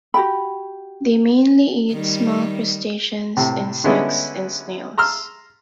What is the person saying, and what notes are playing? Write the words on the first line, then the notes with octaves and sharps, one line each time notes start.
They mainly eat small crustaceans, insects, and snails.
F#4 G4 G5 B5
D#3 G3
A2 C3
D3 G3 G#3 B3 C#4 E4
A#5 C6 E6 F6